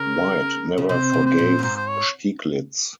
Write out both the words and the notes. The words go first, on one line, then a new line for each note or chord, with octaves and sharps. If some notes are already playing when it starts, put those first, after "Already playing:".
White never forgave Stieglitz.
Already playing: C#3 A#4
C#3
C3 C5
C3
C5
A#2
F#2
G#2 C5
C5
C#5